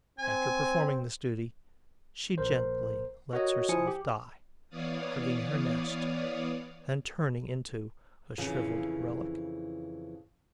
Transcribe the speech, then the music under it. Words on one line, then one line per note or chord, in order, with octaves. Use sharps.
After performing this duty, she gently lets herself die, hugging her nest and turning into a shrivelled relic.
C4 G#5
A#1 A#4 C5
F#4 A#4 C#5 D#5 F#5
F3 E4 G#5 D#6 C#7
G4
E3 B3 C#5 D5 F5 D#6
F2 C#3 E3